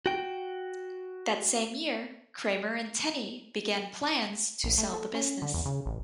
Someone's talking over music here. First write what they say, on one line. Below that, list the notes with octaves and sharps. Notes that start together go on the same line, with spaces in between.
That same year Kramer and Tenney began plans to sell the business.
F#4 G5
A#1
A3
A4
C#4
D3
E2
C#3
A1